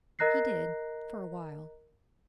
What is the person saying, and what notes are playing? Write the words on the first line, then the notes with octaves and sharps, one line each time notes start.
He did--for a while.
A#4 D#5 A#5 F#6 A#6 C7